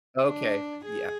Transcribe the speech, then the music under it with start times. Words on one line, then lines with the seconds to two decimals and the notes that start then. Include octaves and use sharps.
Okay. Yep.
0.24 D4
0.86 G#4